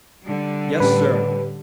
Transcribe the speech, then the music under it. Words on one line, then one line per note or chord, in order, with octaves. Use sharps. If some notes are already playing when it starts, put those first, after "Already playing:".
"Yes, sir."
D3 G3
A2 C#4 G4 B4